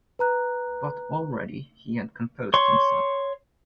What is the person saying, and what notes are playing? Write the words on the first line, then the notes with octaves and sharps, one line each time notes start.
But already he had composed himself.
B4 A#5 F#6
C#5 C6 C#6